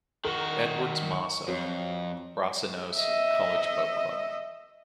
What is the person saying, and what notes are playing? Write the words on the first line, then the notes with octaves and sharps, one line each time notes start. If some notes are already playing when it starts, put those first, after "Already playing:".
Edwards-Moss of Brasenose College Boat Club.
D#3 F#4 A#4
C#6
F2 F#3
D#5 E5